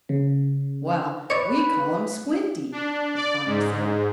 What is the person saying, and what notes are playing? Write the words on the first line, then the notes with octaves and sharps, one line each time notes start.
"Well, we call him Squinty," the farmer said.
C#3
B4 C#5 D5
D4
D5
G#2